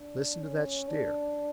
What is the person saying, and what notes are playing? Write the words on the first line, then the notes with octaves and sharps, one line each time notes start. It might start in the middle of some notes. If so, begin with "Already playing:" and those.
"Listen to that steer."
Already playing: D4
C#4
D4